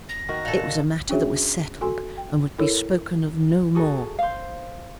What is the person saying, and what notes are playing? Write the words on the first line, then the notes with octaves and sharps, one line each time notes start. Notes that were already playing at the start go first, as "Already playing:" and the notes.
It was a matter that was settled, and would be spoken of no more.
A#6
D#3 F#4 A#4
A#2 A4
C#4 D4 F#4 G#4 C#5 E5
F#4 A4 G#5 C6
G5
E4 A4 A#4 C#5
F#4 G#4 A4
C5 F5